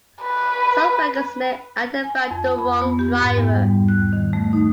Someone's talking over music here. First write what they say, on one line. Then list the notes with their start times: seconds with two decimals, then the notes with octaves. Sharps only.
Some records may identify the wrong driver.
0.22 B4
2.04 G#5
2.31 F2
2.59 B5
2.82 B3
2.99 G4
3.21 G#2
3.38 E2
3.54 G3
3.88 F#6
4.13 D#3
4.33 A3
4.53 D#4